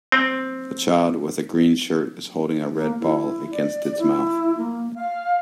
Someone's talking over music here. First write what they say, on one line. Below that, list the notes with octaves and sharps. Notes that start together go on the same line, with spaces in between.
A child with a green shirt is holding a red ball against its mouth.
C4
A#3
E4
D5
E4
A#3
F5